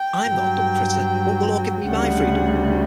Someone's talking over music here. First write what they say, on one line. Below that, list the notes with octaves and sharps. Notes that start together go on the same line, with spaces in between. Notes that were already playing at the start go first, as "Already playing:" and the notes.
I'm not a dumb critter; won't the law give me my freedom?
Already playing: G5
G2 F#3
D2 C#3 G3 F#5